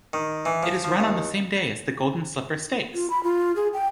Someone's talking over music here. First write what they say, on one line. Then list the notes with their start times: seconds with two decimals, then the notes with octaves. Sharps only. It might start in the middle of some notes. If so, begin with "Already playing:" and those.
It is run on the same day as the Golden Slipper Stakes.
0.13 D#3
0.45 E3
0.63 F3
0.84 F3
1.00 D#2
2.94 F4
3.10 B5
3.23 F4
3.56 G#4
3.73 G5